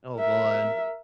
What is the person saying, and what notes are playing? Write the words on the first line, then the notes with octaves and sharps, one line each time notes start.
Oh, god.
A#4 E5